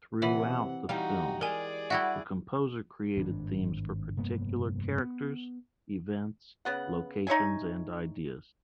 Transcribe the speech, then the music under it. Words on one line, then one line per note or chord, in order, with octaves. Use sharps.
Throughout the film, the composer created themes for particular characters, events, locations, and ideas.
C3 E3 C#5 E5 F#5 B5
E3 G3 D#4 F#4 G4 F5
G#3 G#4 A#4 D5 G#5
G3 E4 F#4 E5 F#5
G#1 G2 C#4 D4
F1 G2 A#3 B3
B3
C#3 B3 F#5
D#4 C#5 E5 G#5